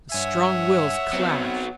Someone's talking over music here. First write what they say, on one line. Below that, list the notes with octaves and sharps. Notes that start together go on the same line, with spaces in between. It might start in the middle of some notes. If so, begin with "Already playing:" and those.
The strong wills clashed.
G2 C#5 E5 F#5 G#5
F#3 B3 C4